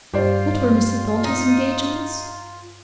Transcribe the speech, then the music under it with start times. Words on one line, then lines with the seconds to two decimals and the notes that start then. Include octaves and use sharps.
What were Mr. Thornton's engagements?
0.14 G2 F4 G4 C5 D5
1.24 D#4